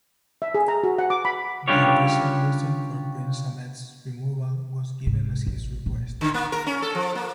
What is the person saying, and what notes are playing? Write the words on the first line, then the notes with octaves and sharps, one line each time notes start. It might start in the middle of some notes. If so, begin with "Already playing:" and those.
The official reason for Prince Ahmed's removal was given as his request.
E5
G#4
A#5
F#4
F#5
D6
B5
C#3 G3 D4 F4 G4 C#5
G#2
A1
A#2
D3
A#3
A#4
C#4
A4
F3
A#3